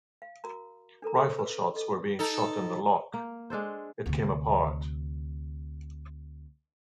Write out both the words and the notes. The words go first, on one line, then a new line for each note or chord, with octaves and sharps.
Rifle shots were being shot in the lock: it came apart.
F5
F#4 A#4 A#5
D4 A4 A#4 A#5
C#4 A4 C5 E5 A#5
B4
A4 D#5
D#4 A4
A#3
G#3 D4 A4 C5
D2 C3